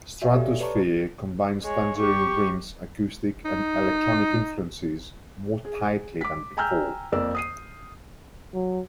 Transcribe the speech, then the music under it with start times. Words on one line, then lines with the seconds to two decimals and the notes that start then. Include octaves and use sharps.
"Stratosfear" combines Tangerine Dream's acoustic and electronic influences more tightly than before.
0.21 F#4 C#5 D5 E5 F5 G#5
0.34 G4 A4
0.60 B4 C#5 D5 A5 A#5 C#6
1.63 G#3 C#5
1.98 G4 C#6
3.45 D#4
5.65 G#4
6.21 D6 B6
6.57 G5 G#5 A#5 E6 F6 G6
7.12 F2 A#3 A#4 D5 E6
7.35 D#6 C7 D#7
8.54 F#3